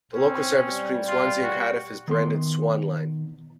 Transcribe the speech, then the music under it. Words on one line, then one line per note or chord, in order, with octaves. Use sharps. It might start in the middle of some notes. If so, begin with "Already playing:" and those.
The local service between Swansea and Cardiff is branded Swanline.
C4 C#4
G3
F4
F#4
D#3 B3 C6